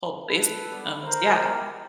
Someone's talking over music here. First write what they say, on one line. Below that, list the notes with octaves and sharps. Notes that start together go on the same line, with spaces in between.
"Hold, please." Um, s yeah.
A4 B4
G3 B3 D4
A#4 C5
B3 E4 G4